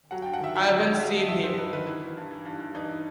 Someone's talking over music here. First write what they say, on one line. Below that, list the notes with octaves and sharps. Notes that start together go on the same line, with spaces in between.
I haven't seen him.
F#3 F#5
G5
G2
F#5
D#3 E5
F#3 E5
D#3
D#5
F#3
F#3 E5
G2 D#5
G2 E5
G2 C5
F#3 B4
D#3 B4
E3 E4
E3
G2
E3
G2
G2
E3 D#4
E3